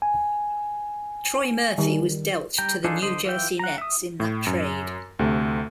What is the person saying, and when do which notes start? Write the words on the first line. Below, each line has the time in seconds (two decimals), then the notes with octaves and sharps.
Troy Murphy was dealt to the New Jersey Nets in that trade.
0.02 G#5
1.78 D#3 G3
2.58 G3 G5 A#5
2.84 D4 D#4 F4 G#4 A4
3.02 D3 C5 D#5
3.25 E3 F4 E5 G5
3.59 F#5 A#5
3.78 E5 D#6
4.20 A2
4.47 F#2
5.19 D2 C3 A3